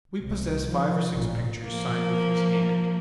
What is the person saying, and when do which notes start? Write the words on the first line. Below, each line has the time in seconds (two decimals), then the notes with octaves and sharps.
We possess five or six pictures signed with his hand.
0.20 C2
0.68 F3
1.11 A1 A#2
1.64 F3 A#3